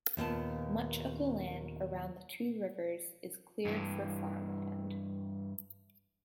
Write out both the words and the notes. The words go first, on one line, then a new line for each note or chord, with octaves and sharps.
Much of the land around the two rivers is cleared for farmland.
D#2 A#2 B3 A5
G2 E3